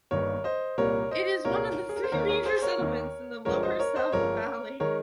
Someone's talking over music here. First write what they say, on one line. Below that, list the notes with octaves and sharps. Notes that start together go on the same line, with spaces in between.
It is one of the three major settlements in the Lower Sava Valley.
G1 G2 D#3 A#3 A#4 C#5
C5 D#5
C2 A#2 G3 A#3 A#4 C#5
C5 D#5
C2 A#2 G3 A#3 A#4 C#5
G#4
A#4
C5
D#2 D#3 A#3 A#4 C#5
A#4 C#5
G#4 C5
A#4 C#5
D#2 D#3 A#3
G1 G2 F3 G#3 A#4 C#5
C5 D#5
A#4 C#5
C5 D#5
G1 G2 F3 G#3 A#4 C#5
D#3 G#3 A#4 C#5